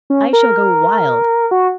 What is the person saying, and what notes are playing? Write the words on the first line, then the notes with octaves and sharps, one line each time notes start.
I shall go wild!
C#4
A#4
F#4